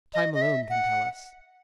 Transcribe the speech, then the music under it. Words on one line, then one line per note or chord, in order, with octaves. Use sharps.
Time alone can tell us.
D#5
D#5
E5
F#5